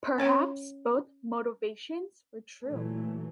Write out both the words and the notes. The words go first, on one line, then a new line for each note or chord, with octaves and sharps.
Perhaps both motivations were true.
C#4 C#5 G5
A#2 E3 F#3 A3